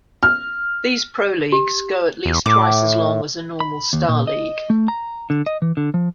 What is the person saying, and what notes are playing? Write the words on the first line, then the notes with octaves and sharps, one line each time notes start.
These pro leagues go at least twice as long as a normal Starleague.
F6
G4
E2
A2 D6
B5
D#2
A#2
D#5
A3
A#5
D3
D#5
E3
D3
F3